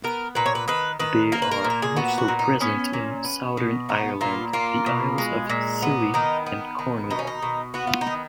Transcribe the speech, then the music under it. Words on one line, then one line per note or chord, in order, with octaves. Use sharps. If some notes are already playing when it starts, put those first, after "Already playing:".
They are also present in southern Ireland, the Isles of Scilly and Cornwall.
B3 A#4
A#2 B4
C#5
B4
D#3 B4
D#3 B4
A#3 A#4
B4
A#4
A#2
A#4
G#4
B3 F#4
F#4
A#2
D#4
B3 C#4
A#2
B3
B2
B3 D#4
A#2 F4
A#3 F4
B2
G#3
A#2
B3
D#3 D#4
B3
D#3
B2 D#4
C#4
D#4
B2
B3 F#4
F4
D#4
D#3